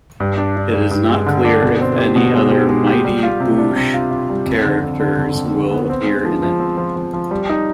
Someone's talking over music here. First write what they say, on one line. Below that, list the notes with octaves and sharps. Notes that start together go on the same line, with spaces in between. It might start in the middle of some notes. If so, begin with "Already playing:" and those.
It is not clear if any other "Mighty Boosh" characters will appear in it.
G2
D4
D4
G2
G2
G#3
D3
D4
B2
C4
G4
B2
G#3
G4
G#3
G4
G3
F4
C3
D4
C3
F4
F4
G3
F2
D3
F2
D3
F2
F2
D3
B3
C4
G#3
F3
F3
C4
F3
F3
F3
G3
D#4